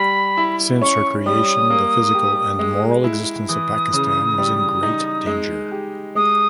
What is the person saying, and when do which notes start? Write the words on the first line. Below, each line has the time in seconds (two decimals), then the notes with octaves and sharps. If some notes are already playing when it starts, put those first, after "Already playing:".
Since her creation, the physical and moral existence of Pakistan was in great danger.
Already playing: G3 B5
0.38 E4
0.81 C#4 C#6
1.26 G3 D#6
1.70 A#3
2.15 G4
2.59 G#3
3.04 E4
3.48 E3 D#6
3.93 C#3
4.38 G3
4.83 D#4
5.26 G#3
5.71 G4
6.15 G#3 D#6